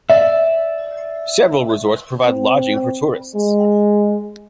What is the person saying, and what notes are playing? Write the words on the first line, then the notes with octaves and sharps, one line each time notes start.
Several resorts provide lodging for tourists.
D5 E5
C4
G#3